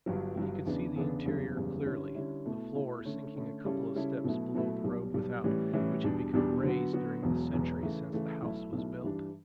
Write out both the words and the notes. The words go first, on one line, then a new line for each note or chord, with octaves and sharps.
He could see the interior clearly--the floor sinking a couple of steps below the road without, which had become raised during the centuries since the house was built.
G1 G2 F#3
G1 G2 F#3
E2 C#3 E3 B3 D4
E2 C#3 E3 B3 D4
F#1 E2 C#3 G3
F#1 E2 C#3 G3
D3 G3 C#4 E4
D3 G3 C#4 E4
B2 A3 E4
B2 A3 E4
D3 A3 C#4
D3 A3 C#4
C#3 G3 C#4 E4 A4
C#3 G3 C#4 E4 A4
B2 F#3 A3 E4
B2 F#3 A3 E4
B1 B2 G3
B1 B2 G3
A2 E3 G3 C#4
A2 E3 G3 C#4
E2 B2 G3 D4 G4
E2 B2 G3 D4 G4
D3 F#3 B3 F#4
D3 F#3 B3 F#4
E1 E2 B2 F#3
E1 E2 B2 F#3
C#3 E3 A3
C#3 E3 A3
B1 B2 A3 E4
B1 B2 A3 E4
G2 E3 G3 D4